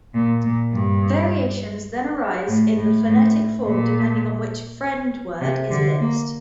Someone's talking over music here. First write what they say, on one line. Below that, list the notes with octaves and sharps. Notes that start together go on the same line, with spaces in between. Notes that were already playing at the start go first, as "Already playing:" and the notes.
Variations then arise in the phonetic form depending on which "friend" word is ellipsed.
A#2
A#2
G2
A2
A2
A2
A#2
C3
D3
A#3